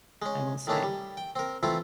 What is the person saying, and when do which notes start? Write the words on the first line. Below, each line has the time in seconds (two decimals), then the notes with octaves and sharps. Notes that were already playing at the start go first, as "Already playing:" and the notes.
I will say.
0.22 G#3 C#4
0.67 D#3 A3 C#4 D4 E4
0.83 G3
1.17 G5
1.36 C4 A#4
1.63 E3 A3 C4 E4 F4